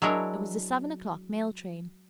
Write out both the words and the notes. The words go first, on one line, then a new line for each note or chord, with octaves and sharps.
It was the seven o'clock mail train.
F#3 G#3 D4 E4 A#4 C#5